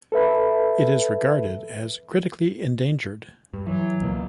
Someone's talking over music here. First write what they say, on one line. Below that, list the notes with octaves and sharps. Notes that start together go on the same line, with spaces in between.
It is regarded as critically endangered.
A4 B4 E5 B5
G2
E3 F#3
C#2 B2 A#3